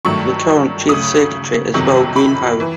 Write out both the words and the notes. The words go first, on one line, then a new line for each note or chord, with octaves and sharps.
The current Chief Secretary is Will Greenhow.
G2 D#3 F#3 A3 C#6
D2 C#3 F#3 D#6
G1 F2 C3 D#3 F#3
B5
E3